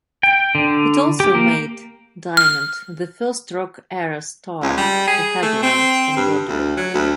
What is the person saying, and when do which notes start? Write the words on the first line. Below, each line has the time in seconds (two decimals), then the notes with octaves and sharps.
It also made Diamond the first rock-era star to headline on Broadway.
0.23 G5
0.55 D3
1.20 G4
1.35 A#3
2.37 F6
4.63 C#2
4.77 G3
5.07 G#4
5.43 A3
5.63 C4
6.16 G2
6.48 D2
6.77 F#3
6.94 D2